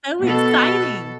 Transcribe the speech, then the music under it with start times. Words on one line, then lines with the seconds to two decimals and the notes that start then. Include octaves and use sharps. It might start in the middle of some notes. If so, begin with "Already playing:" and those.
so exciting,
0.22 B2 A4